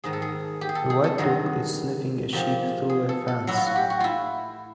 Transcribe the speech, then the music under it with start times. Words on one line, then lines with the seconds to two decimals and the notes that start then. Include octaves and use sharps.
A white dog is sniffing a sheep through a fence.
0.04 G#2 D#3 G#3 G#4
0.13 A4
0.22 G#4
0.61 G4
0.69 G#4
0.75 A4
0.90 G#4
1.04 A4
1.18 G2 D#3 F#3 G#4
2.33 A#2 F3 G#3 G4
2.89 G#4
3.09 A4
3.28 A4
3.47 A2 F#3 E4
3.57 F4
3.66 F#4
3.75 G4
3.90 F#4
4.00 E4 F4